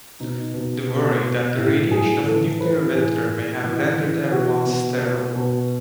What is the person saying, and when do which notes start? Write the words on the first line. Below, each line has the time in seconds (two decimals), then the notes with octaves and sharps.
They worry that the radiation of the nuclear winter may have rendered everyone sterile.
0.20 B2 D#4
0.54 B2
0.89 B2
1.23 B2
1.57 A2
1.91 A2 G#4
2.25 E3 A4
2.60 E3 B4
2.94 A2 G#4
3.29 A2
3.63 E3
3.98 E3
4.32 B2 F#4
4.66 B2
5.01 B2
5.36 B2